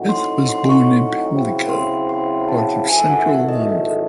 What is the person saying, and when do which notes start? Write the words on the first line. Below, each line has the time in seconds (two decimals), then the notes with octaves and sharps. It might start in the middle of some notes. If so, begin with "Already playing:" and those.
Smith was born in Pimlico, part of central London.
Already playing: A2 F#3 C4 D#4 F#4
0.09 C6
0.49 C6
0.69 C#6
1.30 C#3 F#3 C4 E4
1.69 C6
2.09 C6
2.48 A5
2.88 G#1 F#2 E3 A3 G#5
3.00 E5
3.09 F#5
3.29 E5
3.49 D#5
3.69 D#5